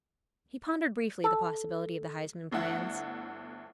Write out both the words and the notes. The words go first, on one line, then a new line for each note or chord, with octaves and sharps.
He pondered briefly the possibilities of the Huysman plans.
A4
G1 D2 E4 F#5